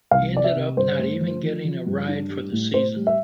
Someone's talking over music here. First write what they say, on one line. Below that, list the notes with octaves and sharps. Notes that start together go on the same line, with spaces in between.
He ended up not even getting a ride for the season.
C2 F5
C3 D5
E5
C3
G2 C5
A3
F3
F3
F3
G2
D4
G3
A2
A2 C5
G3
E5